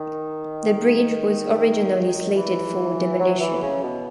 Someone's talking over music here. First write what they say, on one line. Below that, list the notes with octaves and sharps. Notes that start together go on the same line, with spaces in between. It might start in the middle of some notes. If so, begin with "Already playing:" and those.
The bridge was originally slated for demolition.
Already playing: D#3
E3
F#3
E3
C#3
B2